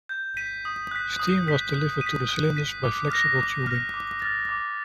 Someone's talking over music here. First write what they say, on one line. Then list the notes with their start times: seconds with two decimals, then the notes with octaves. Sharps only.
Steam was delivered to the cylinders via flexible tubing.
0.09 G6
0.37 B6 D#7
0.65 D#6
0.91 F#6 B6
1.19 D#6
1.47 F#6 B6
1.74 F#6
2.01 D#7
2.06 B6
2.29 F#6
2.57 B6 D#7
2.83 D6
3.11 F6 A#6
3.39 D6
3.67 F6 A#6
3.94 D6
4.22 F6 A6
4.49 D6